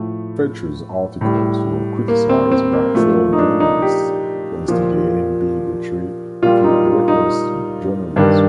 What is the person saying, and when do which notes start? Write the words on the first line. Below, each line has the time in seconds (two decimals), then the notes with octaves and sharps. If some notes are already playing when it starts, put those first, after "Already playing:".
Fechter's articles were criticized by fellow journalists for instigating bigotry through reckless journalism.
Already playing: A2 F3 A3
1.21 A2 G3
2.08 A#3
2.29 C4
2.51 C4
2.73 A#3
2.95 A#2 F3 A3
3.33 D#4
3.39 D4
3.60 D#4
3.82 G4
4.68 A#2 F3
6.43 A#2 G3 F4
6.64 D#4
6.86 F4
7.08 D#4
8.16 G2 D#3 G3 D4